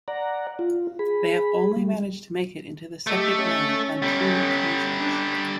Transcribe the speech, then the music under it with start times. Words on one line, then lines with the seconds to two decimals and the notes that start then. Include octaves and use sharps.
They have only managed to make it into the second round on two occasions.
0.08 D5 F#5 A#5
0.59 F4
0.99 G#4 B5
1.77 G3
3.07 A3 G4 A4 D#5
3.44 C#4
4.02 D3 G3
5.00 D4